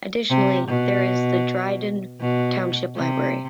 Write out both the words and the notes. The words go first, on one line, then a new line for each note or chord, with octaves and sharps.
Additionally there is the Dryden Township Library.
C3
B2
B2
C3